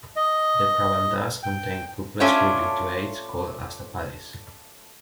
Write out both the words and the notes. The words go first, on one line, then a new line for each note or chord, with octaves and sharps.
The Prabandhas contain couplets grouped into eights, called ashtapadis.
D#5
G5
A3 C#4 D4 F4 A4 C#5